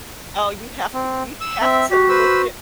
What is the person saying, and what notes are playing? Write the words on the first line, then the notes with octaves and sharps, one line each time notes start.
Oh, you have to you have to look it
C4
E6
C4 E5
F#4 G4
B4 C5 E6